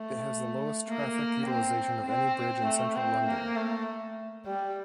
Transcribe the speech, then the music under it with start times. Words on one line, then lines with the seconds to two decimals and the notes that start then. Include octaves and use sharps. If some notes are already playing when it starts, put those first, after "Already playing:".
It has the lowest traffic utilisation of any bridge in central London.
Already playing: A3
0.87 A#3
1.46 C4
2.06 C4
2.66 A3
2.96 C4
3.26 A#3
3.56 A3
4.46 G3